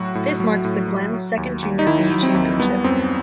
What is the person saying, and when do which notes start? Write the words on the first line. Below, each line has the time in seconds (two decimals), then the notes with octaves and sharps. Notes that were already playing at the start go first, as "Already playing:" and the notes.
This marks the Glens Second Junior "B" Championship.
Already playing: A2 F#3 F#4
0.15 A2
0.40 F#3
0.65 A2
0.88 F#3
1.14 F#3
1.37 D#2
1.62 D#2
1.79 D#4
1.87 D#3 E4
2.11 F#3
2.23 C4
2.35 D#2
2.60 G3 B3
2.84 F#2 C4